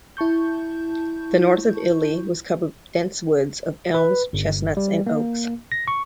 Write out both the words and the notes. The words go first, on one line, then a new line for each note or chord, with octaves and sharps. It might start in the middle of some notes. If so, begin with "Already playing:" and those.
The north of Italy was covered with dense woods of elms, chestnuts, and oaks.
E4 A5 C#6 G6
B4
G1
G3
A#3
A#6
C#6